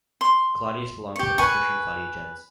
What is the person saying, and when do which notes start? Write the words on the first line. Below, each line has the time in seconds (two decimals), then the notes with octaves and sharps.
Claudius belonged to the patrician Claudia gens.
0.21 C6
1.16 G4 C#6
1.38 B4 G#5 C#6